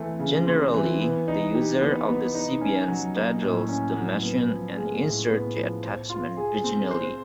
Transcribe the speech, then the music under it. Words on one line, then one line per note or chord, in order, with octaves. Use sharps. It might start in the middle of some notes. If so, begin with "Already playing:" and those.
Generally, the user of the Sybian straddles the machine and inserts the attachment vaginally.
Already playing: E3 A3 C4
C#3
C4
E3
B3
D#4
G4
B3
B3
D#4
C#4
F#3
A#3
A2
C#4
F#3
B3
F3
G#3
A2
B3
F3
C5
F4
G#4
C4
C5